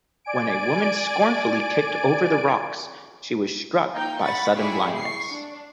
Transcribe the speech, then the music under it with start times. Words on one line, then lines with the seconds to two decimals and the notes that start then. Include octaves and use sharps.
When a woman scornfully kicked over the rocks she was struck by sudden blindness.
0.25 D5 G#5 D7
3.93 A#3 D#4 G5 G6
4.21 F#5 B5 C#6 A6
4.55 E4 G4 G#4 D5 B5 C#6
4.96 C#6 C7
5.29 D4